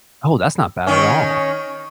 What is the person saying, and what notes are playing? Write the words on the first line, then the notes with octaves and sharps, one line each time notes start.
Oh, that's not bad at all.
D#3 C#4